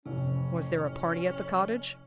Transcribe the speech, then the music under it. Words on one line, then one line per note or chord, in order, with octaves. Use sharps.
"Was there a party at the cottage?"
A1 F2 C3 C#4